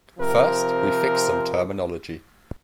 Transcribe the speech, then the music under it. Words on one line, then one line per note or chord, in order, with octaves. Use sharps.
First, we fix some terminology.
C3 F3 C4 A#4